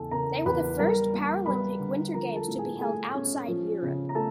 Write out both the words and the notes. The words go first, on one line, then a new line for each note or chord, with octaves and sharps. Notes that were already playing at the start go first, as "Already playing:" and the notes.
They were the first Paralympic Winter Games to be held outside Europe.
Already playing: E2 C#3 A4 G#5 A5
C#3 A#4 A#5
E2 B4 B5
G3 A#4 A#5
A#3
G3 B4 B5
D3
F3 A#4 A#5
A4 A5
A2
G#4 G#5
A3 G#4 G#5
C#4
F3
C#3
A#5
A3 A4 A5